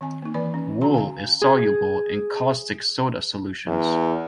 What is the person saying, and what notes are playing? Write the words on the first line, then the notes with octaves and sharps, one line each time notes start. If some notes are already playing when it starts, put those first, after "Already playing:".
Wool is soluble in caustic soda solutions.
D#3 C4 G#5
A#3 D#4
E3 B4 D5 G#5 B5
C#4
D3 C#4 F#4 A#5 C6
F5 G#5
G#4
E2